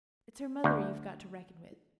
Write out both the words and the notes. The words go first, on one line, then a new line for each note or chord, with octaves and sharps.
It's her mother you've got to reckon with.
D2